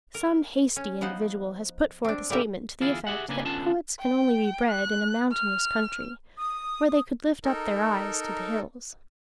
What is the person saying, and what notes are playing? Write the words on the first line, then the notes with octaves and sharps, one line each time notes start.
Some hasty individual has put forth a statement to the effect that poets can only be bred in a mountainous country, where they could lift up their eyes to the hills.
A#4
C#4
F3 B3 D#4 C5 F#5
C4 D4
A#2 D3 G3 G4 A#4 E5
E2 D3 E4 F4 G#4
G4 G#4 E5 F#5
C#3 A#3 D4 B4 C5 G#5
D3 B3 C#4 D4 F4 A5
G5
F#6
F6
D#6
D#4 A4 A#4